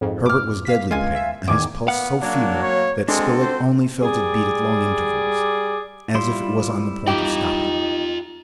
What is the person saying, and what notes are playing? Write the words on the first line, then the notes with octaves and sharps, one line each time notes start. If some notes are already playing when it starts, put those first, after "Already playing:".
Herbert was deadly pale, and his pulse so feeble that Spilett only felt it beat at long intervals, as if it was on the point of stopping.
F2 G#2
D6 F6
F5 B6
C#2 G#3 F4 G#5
E5
E2 D#3 G#5 D6
B3 F5 F#5
F#3 A#3 D4
C#5
G#3 C4 D4 F#4 A4
C5
G3 G#4 D5
G3 E4 F4 C6
D#4 F4 G4 G5